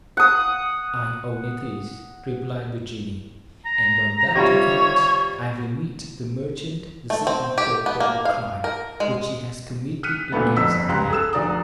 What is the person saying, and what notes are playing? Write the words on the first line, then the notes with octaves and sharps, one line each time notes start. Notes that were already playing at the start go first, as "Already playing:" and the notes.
"I own it is," replied the genie, "and on that account I remit the merchant the second third of the crime which he has committed against me."
F#5 D#6
A#5
C3 G3 F4 C#5
A3
C4
G4
B3
A#3
F5
A#4
G#3
F6 F#6 B6 C#7 D#7
D2 A#2 A3 B3
G1 F2 E6 B6
C#2 G4 A#5 C6 F#6
G#4 A4 E6 E7
F1 D2 D5 A#5 D#6